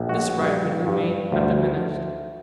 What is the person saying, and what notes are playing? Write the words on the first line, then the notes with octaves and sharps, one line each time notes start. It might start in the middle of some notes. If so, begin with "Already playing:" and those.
This right would remain undiminished.
Already playing: A#1
F#4
G2
G2
D2